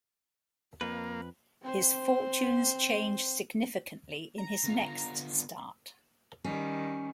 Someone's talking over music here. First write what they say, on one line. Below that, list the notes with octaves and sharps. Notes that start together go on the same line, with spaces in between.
His fortunes changed significantly in his next start.
F2 A#3 B4
C4 C5
A#5
D3 B3 F4 A#5
D#3 G3 C#4